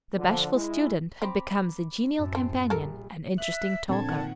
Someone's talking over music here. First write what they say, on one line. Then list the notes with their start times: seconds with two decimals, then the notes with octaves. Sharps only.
The bashful student had become the genial companion and interesting talker.
0.18 D3 F3
0.53 G#3 E4
1.22 C4 A#5 B5 D6
2.18 F#2 A2 A4
2.35 C4 C6
2.70 A#1 G3 A4 A#4
3.38 E5 F#6
3.89 F2 A#2 D3 C4 A5 G#6
4.08 D#3 F#5